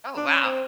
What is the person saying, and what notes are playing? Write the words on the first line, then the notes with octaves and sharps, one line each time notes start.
Oh, wow.
D4
C#4
C4